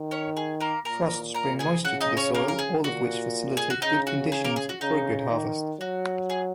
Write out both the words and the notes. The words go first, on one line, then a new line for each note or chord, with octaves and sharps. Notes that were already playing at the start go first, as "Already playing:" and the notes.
Frosts bring moisture to the soil, all of which will facilitate good conditions for a good harvest.
Already playing: D#3
C#4 C#5
G#4
A#3 A#4
A#2 A#4 A#5
A#4 A#5
G#4 G#5
C#3 F#4 F#5
D#4 D#5
C#4 C#5
A#3 A#4
A#4
G#4
A#2 F#4
G#4
F#4
C#3 D#4
F#4
G#4
A#3 A#4
G#4
F#4
C#3 D#4
D#3
F#3 F#4
G#4